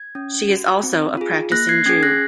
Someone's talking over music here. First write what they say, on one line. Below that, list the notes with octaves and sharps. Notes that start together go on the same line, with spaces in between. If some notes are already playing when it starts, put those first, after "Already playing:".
She is also a practicing Jew.
Already playing: G#6
C#4
F#4
C4
F4 G#4
A#3 F#6 A#6
G#6 C7
C#4 G#4 G#6 C7
F#6 A#6